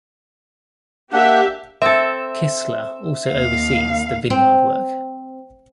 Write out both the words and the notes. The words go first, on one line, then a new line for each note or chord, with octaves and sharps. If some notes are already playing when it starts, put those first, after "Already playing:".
Kistler also oversees the vineyard work.
A#3 D4 G4 E5 F#5
C4 A4 E5
D#2 F5
C4